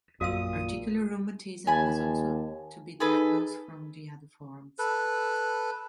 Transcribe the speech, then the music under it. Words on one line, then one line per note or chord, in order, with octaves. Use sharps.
Articular rheumatism has also to be diagnosed from the other forms.
A#1 F#2 A#2 F#3 F#4 F5 D#6 E6
D#2 G#5 A5 B5
D#4 G#4 A4 B4
A4 B4